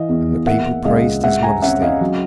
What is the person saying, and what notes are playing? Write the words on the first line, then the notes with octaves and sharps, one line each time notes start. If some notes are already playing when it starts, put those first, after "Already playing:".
And the people praised his modesty.
Already playing: E3 D#5 F5
E2
A#3 E5 F#5
C#2 D#5 F5
G#3 E5 F#5
G#5 A#5
C#4 E5 F#5
D#5 F5
F#3